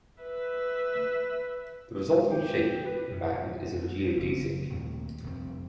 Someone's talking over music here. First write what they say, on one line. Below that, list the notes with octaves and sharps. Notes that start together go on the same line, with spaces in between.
The resulting shape of the band is a geodesic.
B4 E5
G4
B4
F#2
F#1
D#2 A#2 A3 C4
F1 G2 C4